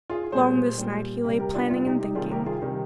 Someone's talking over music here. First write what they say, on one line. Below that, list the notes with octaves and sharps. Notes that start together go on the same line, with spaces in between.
Long this night he lay planning and thinking.
F4 G#4
A#2 G3 G#4 C5
A#2 G3
C3 G3 G4 A#4
G4 A#4
D4 F4
C3 G3 D4 F4
D#4 G4
D#4 G4
C3 D#3 G3 F4 G#4
G4 A#4
F4 G#4
C3 D#3 G3 D#4 G4